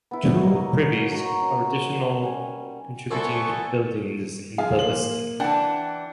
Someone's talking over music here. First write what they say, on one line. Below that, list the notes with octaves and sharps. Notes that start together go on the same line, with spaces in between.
Two privies are additional contributing buildings in the listing.
B3 E4
F#3 A#3 D#5
D#4 F#4 A#5 C#6
C#4
G3 F#5 G#5
C2 A#2 B3 E4 A4 G#5 C#6
F3 G#4 F5
A#3 F#7
E3 D4 F#5 G5